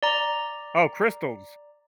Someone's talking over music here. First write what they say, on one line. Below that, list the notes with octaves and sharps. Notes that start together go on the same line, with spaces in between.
Oh, crystals.
D5 A#5